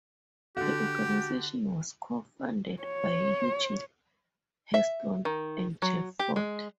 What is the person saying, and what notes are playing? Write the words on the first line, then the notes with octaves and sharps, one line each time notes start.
The organization was co-founded by Eugene Hairston and Jeff Fort.
D3 F#4 G4
C#5
E5
D#3
F#3
G4
G#3